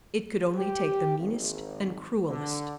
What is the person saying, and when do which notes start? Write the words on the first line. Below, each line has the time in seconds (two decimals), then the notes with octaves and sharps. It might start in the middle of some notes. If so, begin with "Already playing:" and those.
It could only take the meanest and cruellest.
0.58 G4
1.18 G#1
2.29 D3